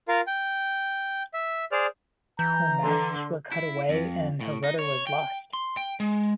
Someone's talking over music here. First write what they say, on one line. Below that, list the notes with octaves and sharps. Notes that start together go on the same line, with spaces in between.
Her masts were cut away and her rudder was lost.
F4 A#4 F5
G5
E5
G#4 C5 D5 F6
E3 A#5 G6
D3 C6
E4
F2
A2
D#4
C#5
G5
C6
G5
G#3